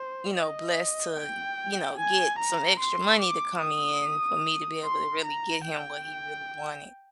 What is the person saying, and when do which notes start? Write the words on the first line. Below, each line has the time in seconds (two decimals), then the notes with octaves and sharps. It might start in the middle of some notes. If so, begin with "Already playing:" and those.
you know, blessed to, you know, get some extra money to come in for me to be able to really get him what he really wanted.
Already playing: C5
0.34 D#5
1.16 G5
1.98 G#5
2.39 A#5
2.80 C6
3.20 D6
3.61 D#6
4.84 C6
5.24 A#5
5.65 G5